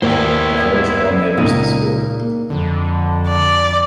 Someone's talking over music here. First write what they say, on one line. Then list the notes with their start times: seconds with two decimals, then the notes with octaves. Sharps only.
A village hall neighbours the school.
0.02 D#2 A#3 B3 E4 C5 D5 G5
1.37 C#2 A#2 C#3 D#4
2.50 F2 D3
3.28 D5